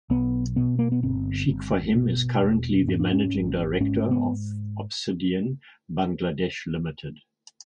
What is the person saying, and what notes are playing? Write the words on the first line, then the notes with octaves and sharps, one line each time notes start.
Sheikh Fahim is currently the managing director of Obsidian Bangladesh Ltd.
B1 B3
B2 B3
A#3
B3
G1 C4
G1
B2
E1
G#2 C#4
D4
C#4
G#1
G#2 C#4
B3